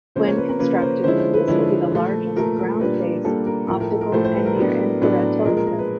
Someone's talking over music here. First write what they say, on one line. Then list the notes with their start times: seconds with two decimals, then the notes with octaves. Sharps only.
When constructed this will be the largest ground-based optical and near-infrared telescope.
0.16 C#3 F3 A#3 C#4 C5
0.27 C#5
0.37 B4
0.49 A#4
0.59 C#3 F3 A#3 C#4 B4
0.82 C5
1.04 D3 F3 G#3 C#4 E4 C5
1.19 C5
1.34 B4
1.48 D3 F3 G#3 C#4 E4
1.92 A#2 F3 A3
2.36 A#2 F3 A3 A#4
2.59 A#4
2.80 A#2 G3 A#3 D4 B4
3.24 A#2 G3 A#3 D4 A4
3.46 A#4
3.68 A2 F3 A3 A#4
3.80 A#4
3.91 A4
4.01 A#4
4.12 A2 F3 A3 C5
4.24 C5
4.35 B4
4.46 A#4
4.56 A2 F#3 B3 D4
5.02 A2 F#3 B3 D4
5.45 A#2 F3 G#3 A#4
5.57 A#4
5.67 A#4
5.78 B4